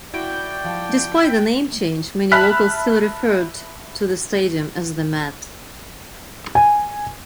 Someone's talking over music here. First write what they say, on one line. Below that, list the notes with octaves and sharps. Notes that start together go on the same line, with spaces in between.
Despite the name change, many locals still referred to the stadium as "The Met".
E4 F#4 D5 G5
F3 A5
E5 A5 B5 F6 F#6 B6
G#5